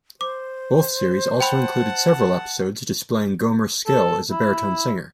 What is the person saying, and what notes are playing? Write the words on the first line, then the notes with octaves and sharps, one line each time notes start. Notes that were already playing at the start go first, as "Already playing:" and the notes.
Both series also included several episodes displaying Gomer's skill as a baritone singer.
C5 D6
F#5 G5 A5 B5
A4
E4